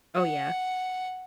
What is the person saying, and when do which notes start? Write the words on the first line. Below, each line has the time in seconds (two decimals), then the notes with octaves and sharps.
Oh, yeah.
0.17 F#5